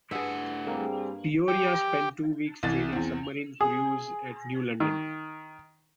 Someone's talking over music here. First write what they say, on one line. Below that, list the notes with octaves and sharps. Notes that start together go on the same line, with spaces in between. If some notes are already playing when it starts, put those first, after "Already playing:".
"Peoria" spent two weeks training submarine crews at New London.
G2 A3 E4 G#4 E5 F#5
G3 A#3 C4 G#4
G4
C2 E3 A6
E2 C4
G#4
D#3